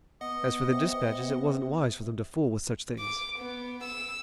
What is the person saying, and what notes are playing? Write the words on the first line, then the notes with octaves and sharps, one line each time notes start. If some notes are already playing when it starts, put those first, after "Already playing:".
As for the dispatches it wasn't wise for them to fool with such things.
B3 D#5 F#5 D#6
C3
D6
B3
E6